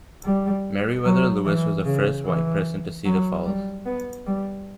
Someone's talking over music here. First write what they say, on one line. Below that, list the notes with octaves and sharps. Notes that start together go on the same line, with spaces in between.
Meriwether Lewis was the first white person to see the falls.
G3
F#3
E3
C#3
E3
F#3
G3
B3
G3